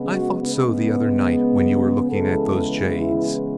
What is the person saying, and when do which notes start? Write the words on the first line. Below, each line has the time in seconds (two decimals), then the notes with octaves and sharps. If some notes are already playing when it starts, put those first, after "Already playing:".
I thought so the other night when you were looking at those jades.
Already playing: C#3 G#3 B3
0.10 F#4
0.39 C#3 G#3 B3
2.10 C#3 E3 G#3 B3 A4
2.96 E4